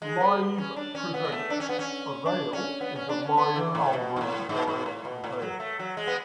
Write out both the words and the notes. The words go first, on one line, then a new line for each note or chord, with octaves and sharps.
Live Presents...Avail is a live album by Avail.
G#3
B3
C#4
D4
C#4
B3
G#3
A3
D4
C#4
B3
C#4
D4
C#4
B3
C#4
D4
C#4
B3
E3
A2
B2
G#2
A2
G#2
G#2
A2
B2
A2
F#3
A3
F#3
G#3
B3